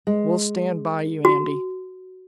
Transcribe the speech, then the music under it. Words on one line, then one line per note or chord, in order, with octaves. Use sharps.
"We'll stand by you, Andy."
G#3
F#4